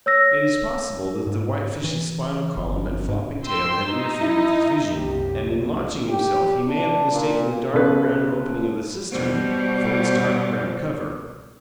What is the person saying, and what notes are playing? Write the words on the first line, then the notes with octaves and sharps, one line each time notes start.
It is possible that the whitefish's spinal column and flopping tail had interfered with his vision, and in launching himself he may have mistaken the dark, round opening of the cistern for its dark, round cover.
C#5 E6 A#6
G#2
E3
G1
G#2
G5 C6 E6
D#4
E4
C2 F#2 C3 G4
G4
D4
A#2
B1 C#3 B4
B2 G3 C5